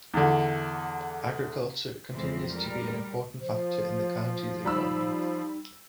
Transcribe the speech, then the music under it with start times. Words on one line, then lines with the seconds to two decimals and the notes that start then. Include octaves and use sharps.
Agriculture continues to be an important factor in the county's economy.
0.14 E2 D3
2.11 F2 E3 G#3 C4
2.54 G3 G#3 A#4
3.41 F3 C5
4.65 G3 D#4 B5 E6